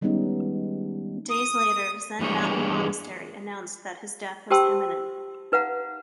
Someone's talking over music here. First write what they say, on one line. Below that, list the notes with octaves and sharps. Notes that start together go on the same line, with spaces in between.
Days later, Zen Mountain Monastery announced that his death was imminent.
D#3 G3 G#3 B3 C#4 D#4
D#6
E2 G2 G#3 A#3 C#5
G4 C5 G5 A5 C6 E6
D#4 B4 F5 F#5 A#5